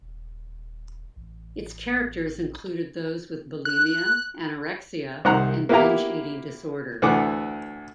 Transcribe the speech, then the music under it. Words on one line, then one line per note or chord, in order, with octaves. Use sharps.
Its characters included those with bulimia, anorexia, and binge eating disorder.
D#1
A1
F#6
C2 D#3 C5 F#5 A#5 F#6
A#3 B3 E4 G4 F5 A#5
D2 E3 A3 F#5 D6